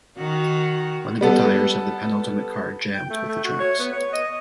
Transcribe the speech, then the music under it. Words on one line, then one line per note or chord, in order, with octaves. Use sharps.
One of the tires of the penultimate car jammed with the tracks.
D#3 F#4
G3 B3 A4
G5
A3
A3
F#4
C#5
B3
C#5
D#5